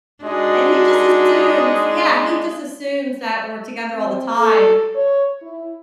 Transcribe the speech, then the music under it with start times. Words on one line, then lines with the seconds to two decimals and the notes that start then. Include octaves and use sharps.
and he just assumes Yeah, he just assumes that we're together all the time
0.24 G#3 D4 D#4 F#4
3.94 C4
4.38 A4
4.95 C#5
5.42 E4